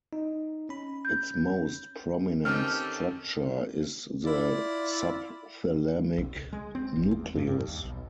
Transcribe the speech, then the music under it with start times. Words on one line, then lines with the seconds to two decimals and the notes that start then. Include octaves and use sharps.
Its most prominent structure is the subthalamic nucleus.
0.13 D#4
0.69 C#4 B5
1.05 G6
2.45 D#3 C4 C#4 G4 A4 F6
4.25 E4 F4 D5
6.18 B1
6.35 C#2
6.53 G#3
6.75 C4
6.96 G1
7.13 E2
7.35 G2
7.47 G2
7.68 D#2
7.84 B1